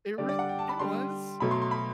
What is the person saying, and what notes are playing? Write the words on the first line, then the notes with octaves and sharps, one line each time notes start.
It rea it was
D3 G3 D5
D5
F#5
G5
A5
B5
D3 G3 C6
B2 F#3 A3 B5
C6
C6
B5